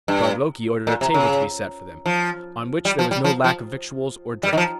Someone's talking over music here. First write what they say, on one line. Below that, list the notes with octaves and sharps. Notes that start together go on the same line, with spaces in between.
Utgard-Loki ordered a table to be set for them, on which there was no lack of victuals or drink.
G2
A#2
C3
C#3
F3
G3
F3
G3
F3
F3
G3
D#3
F3